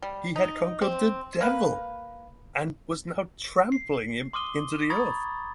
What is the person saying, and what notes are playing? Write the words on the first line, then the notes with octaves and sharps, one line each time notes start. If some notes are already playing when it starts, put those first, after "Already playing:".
He had conquered the devil, and was now trampling him into the earth.
G3
D#4
C4
A#3 B4
C7
C6 D6 D#6 F6 D#7 G7
A#5 B5 C#6 D#6 G#6 A6